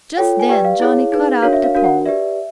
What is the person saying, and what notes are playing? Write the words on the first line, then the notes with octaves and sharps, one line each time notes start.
Just then Johnnie caught up the pole.
F4 A4 C#5 G5
G#5
G4 B4 D5 G5
F5
E4 G#4 C#5
D#4 G#4 B4
D4 F#4 A#4 C#5 F5
E5
F5
D4 F#4 A#4 F5
F#5
G4 B4 D5 E5